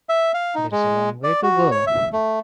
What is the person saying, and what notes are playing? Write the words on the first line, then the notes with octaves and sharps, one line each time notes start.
There is a long way to go.
E5
F5
D#4
G#3
D5
F#4
C#5
E5
A3